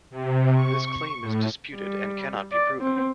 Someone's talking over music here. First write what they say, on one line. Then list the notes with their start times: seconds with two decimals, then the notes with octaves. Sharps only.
This claim is disputed and cannot be proven.
0.10 C3
0.54 C#6
1.21 A2
1.76 G3
2.52 D5
2.81 C4